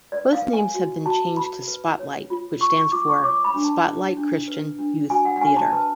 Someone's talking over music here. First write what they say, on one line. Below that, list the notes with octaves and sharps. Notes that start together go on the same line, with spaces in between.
Both names have been changed to Spotlight which stands for Spotlight Christian Youth Theatre.
B4 D5
F5
B4
G#5
F#4
F#4 A5
B4 B5
B4
C#5
F4
G#4 C#6
C#6
F4 D6
C#6
C#5 D6
B5
D4
A5
G#4
D4
B4
D4
F#4 G#5
F#5
F#5
D4 G#5
A5
B4 A5